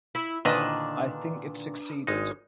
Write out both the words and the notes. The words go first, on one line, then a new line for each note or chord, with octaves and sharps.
I think it succeeded.
E4
A#2 D3 D#3 D4 B4 D#5
G#1 G#3 D#4